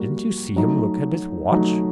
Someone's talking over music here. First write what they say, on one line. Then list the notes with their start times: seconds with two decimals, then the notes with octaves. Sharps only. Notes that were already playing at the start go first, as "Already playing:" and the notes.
Didn't you see him look at his watch?
Already playing: G3 A#3 F#4
0.56 F#3 A3 D#4
1.51 F#3 A3 D#4